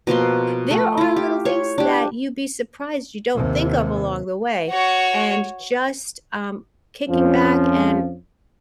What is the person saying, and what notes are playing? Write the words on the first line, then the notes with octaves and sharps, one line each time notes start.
There are little things that you'd be surprised you don't think of along the way, and just, um, kicking back and
B2 F3 A#3 C6
A3
E4 F4
G4
C#5
D4 G4
D#2 C3
F#4 C#5
F2 F3 C#4